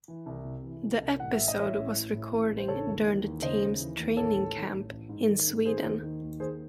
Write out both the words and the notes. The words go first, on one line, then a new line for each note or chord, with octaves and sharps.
The episode was recording during the team's training camp in Sweden.
E3
C2
C3
E3
C2
C2
A1 F#5
A2 E5
D#5
E3 C#5 E5
A1
A2
A2
A1
A1
C5
C#3 A4 C#5
D#2
E3
D#2
C#3 C5 D#5
D#2
E3
D#2
A1 A4 C#5
A1
D#3
A1
A1
G#2
D#3
G#2
D#3 G#4 C5
D#2
D#3
D#2
D#2 G#4 C5